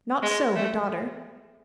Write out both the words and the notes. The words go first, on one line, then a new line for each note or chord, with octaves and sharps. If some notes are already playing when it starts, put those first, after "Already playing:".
Not so her daughter.
G#3
A3